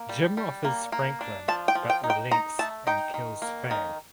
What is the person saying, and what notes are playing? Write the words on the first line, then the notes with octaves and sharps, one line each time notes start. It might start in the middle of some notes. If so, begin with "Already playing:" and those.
Jim offers Franklyn but relents and kills Fang.
Already playing: A#3
G3
G3
A#3
A#3
D4
F3 A5
G5
F3
G5
D#4
G5
D#4 A#5
A3 A5
D#4 G5
D#3
A#3
D#3